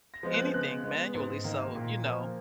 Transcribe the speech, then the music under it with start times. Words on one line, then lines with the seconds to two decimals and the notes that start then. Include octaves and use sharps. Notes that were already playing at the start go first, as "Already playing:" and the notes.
anything manually, so, you know.
0.14 A#6
0.23 F3 G#3 B3
0.34 F#6
0.54 C#3 F#6
0.84 G#3 B3
1.14 G#2
1.44 D#3 A#3
1.75 A#2
2.04 F3 A#3